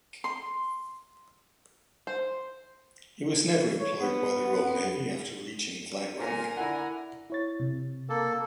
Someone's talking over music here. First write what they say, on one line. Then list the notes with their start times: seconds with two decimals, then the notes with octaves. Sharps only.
He was never employed by the Royal Navy after reaching flag rank.
0.24 C6
2.07 C5
3.79 C#5
4.00 B3
6.19 A#2 A#4 G#5
6.57 D3 E4 F#5
7.30 E4 C#5 A6
7.60 C3
8.09 A#3 A4